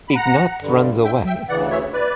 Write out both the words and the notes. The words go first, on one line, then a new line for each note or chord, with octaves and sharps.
Ignatz runs away.
B5
F#5 A#5
G2 D3 G3
E5 G5
E5 G5
D2 C#3 E3 D5 F#5
C#5 E5
B4 D5